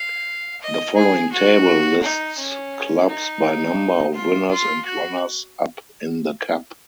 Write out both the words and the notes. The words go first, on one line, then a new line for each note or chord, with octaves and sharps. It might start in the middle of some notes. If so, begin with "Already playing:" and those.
The following table lists clubs by number of winners and runners-up in the Cup.
Already playing: F5
D#5
G#4
F#4
D#4
C#4
D#4
F4
F4
F#4